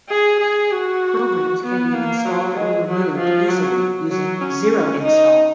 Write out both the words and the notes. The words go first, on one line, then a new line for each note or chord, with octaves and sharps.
Programs can be installed or removed easily using Zero Install.
G#4
G#4
F#4
B3
A#3
F#3
G#3
F#3
F3
F#3
F#3
C#4
D#4